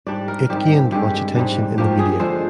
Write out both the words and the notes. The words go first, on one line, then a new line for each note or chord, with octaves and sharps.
It gained much attention in the media.
G#2 G3 D4 D5
A#4
G#2 D#3 G3 C4 G4
G2 D3 G#3 G4
G#2 G3 D4
G2 F3 A#3 G4
G#4
D3 F3 G#3 C5